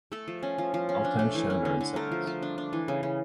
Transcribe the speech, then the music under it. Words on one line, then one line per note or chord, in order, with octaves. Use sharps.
All times shown are in seconds.
A3 A4
F3
C#4
F3
F3
C#4
D4
A3
E3
C#4
D3
D3
A3 A#4
F3
F3
D4
D4
E3
C#3
C#3